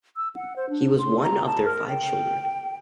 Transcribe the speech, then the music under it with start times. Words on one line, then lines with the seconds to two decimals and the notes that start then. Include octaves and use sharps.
He was one of their five children.
0.17 E6
0.36 F#5
0.56 C5
0.70 D4
0.99 C6
1.23 A#5
1.46 A5
1.65 A#4
1.88 G5